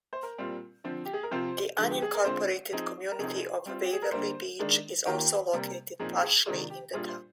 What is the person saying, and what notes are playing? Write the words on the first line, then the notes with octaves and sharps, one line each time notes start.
The unincorporated community of Waverly Beach is also located partially in the town.
C5
A#4
A#2 G3 C4 F4
D3 F3 C4
G4
G#4
A#4
C3 F3 C4 F4 C5
D3 F3 G#3
G4
G#4
A#4
D3 G#3 C4 F4 C5
F3 C4 D#4 G#4
A#4
C3 F3 C4 D#4 G#4
G3 C4 F4
G4
G#4
A#4
D3 G3 A#3 D4 C5
D#3 G#3 D4
D#3 A#3 F4 G4
C3 G3 A#3
A#2 F3 C4 D#4 G#4
G#4
C3 D#3 G#3 D4 F4 G#4
G4
A#2 G3 D4 F4 G#4
C5